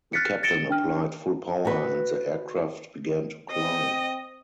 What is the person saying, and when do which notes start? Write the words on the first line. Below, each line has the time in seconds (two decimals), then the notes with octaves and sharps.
The captain applied full power and the aircraft began to climb.
0.13 F6 F#6 A6 B6 C#7
0.43 A6 A#6 C#7 D7 E7 G7
0.69 D4 G5 F6
1.65 F#4 B4
3.51 C4 D#5